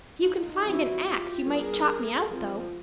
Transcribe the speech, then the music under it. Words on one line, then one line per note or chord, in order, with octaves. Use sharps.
If you can find an axe you might chop me out, though.
D#4 F4
E3 G3 C4 E4 F#4
F4 G4
G3 B3 D4 G#4 A#4
F3 G#3 C4